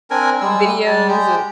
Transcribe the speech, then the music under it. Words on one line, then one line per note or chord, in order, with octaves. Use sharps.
videos of
C4 D4 A#4 G#5
G3 G#3 E6
G3 A5
G#3 G4